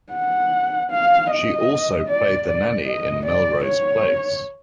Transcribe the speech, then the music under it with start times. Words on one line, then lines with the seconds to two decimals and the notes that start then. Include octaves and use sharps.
She also played the nanny in "Melrose Place".
0.13 F#5
0.91 F5
1.31 D#5
2.08 D5
2.48 D5
2.87 D#5
3.25 D5
3.65 C#5